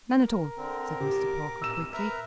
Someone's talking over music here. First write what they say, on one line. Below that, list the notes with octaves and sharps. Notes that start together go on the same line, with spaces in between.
"None at all," said Mr. Parker, quickly.
A#4
D3 C4
G4 D6
E6 E7
A#4 B4 E5 A#5